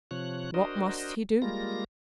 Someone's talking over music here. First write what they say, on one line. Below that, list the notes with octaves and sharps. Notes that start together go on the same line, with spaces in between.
What must he do?
C3 F3 C#5 F#6
D4 F#4 A#4 C5 D#5
G3 G#3 A#3 F4 A#6